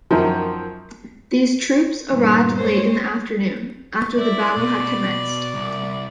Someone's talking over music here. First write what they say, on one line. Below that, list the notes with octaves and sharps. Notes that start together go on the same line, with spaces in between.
These troops arrived late in the afternoon, after the battle had commenced.
F#2 D#3 F3
G2 A#2 D#3
G#3 C5 C#5
E4 D5
B2
C2